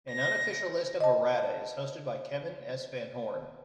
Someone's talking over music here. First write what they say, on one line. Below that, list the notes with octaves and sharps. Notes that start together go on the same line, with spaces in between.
An unofficial list of errata is hosted by Kevin S. Van Horn.
A#6
D#5 A5